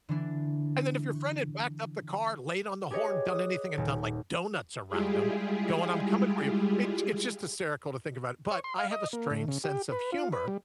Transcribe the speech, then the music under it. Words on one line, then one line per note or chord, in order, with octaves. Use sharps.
And then if your friend had backed up the car, laid on the horn, done anything, and done, like, donuts around him going, "I'm coming for you." It it's just hysterical to think about it, but I have a strange sense of humor
D3 E3 D4
G4 G#4 B4 C#5 D#5
D#6 F#6
D#1
G3 G#3 E4 F4 G4 G#4
C#5
C6
F5
D#5
A#3
A2
C#3
G4
B4
F4
B4
G3